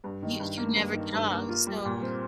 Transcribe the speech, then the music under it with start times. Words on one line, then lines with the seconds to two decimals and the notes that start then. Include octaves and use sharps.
you you never get off. So
0.04 G2
0.22 D#3
0.40 G2
0.57 A#3
0.76 G2
0.94 D#3
1.13 G2
1.31 A#3
1.49 F4
1.67 G3
1.85 A#2
2.02 C4